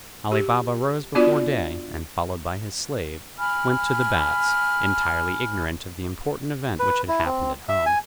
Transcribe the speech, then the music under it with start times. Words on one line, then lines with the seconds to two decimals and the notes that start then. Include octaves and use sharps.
Ali Baba rose before day, and, followed by his slave, went to the baths, entirely ignorant of the important event which had happened at home.
0.32 G4
1.15 B3 D4 F4 F#4 D5
3.38 G#5 B5 F6
6.79 B4
7.08 E4
7.26 C4
7.69 E5
7.86 G#5